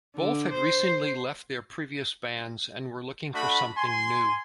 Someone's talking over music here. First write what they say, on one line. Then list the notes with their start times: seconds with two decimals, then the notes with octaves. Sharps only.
Both had recently left their previous bands and were looking for something new.
0.16 D3
0.52 C5
3.34 A3 D4 F#4 B5
3.78 G#5 C6